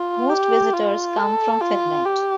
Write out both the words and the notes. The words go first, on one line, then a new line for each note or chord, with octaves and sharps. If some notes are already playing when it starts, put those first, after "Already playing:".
Most visitors come from Finland.
Already playing: F4
G4
F4
A4
F4
G4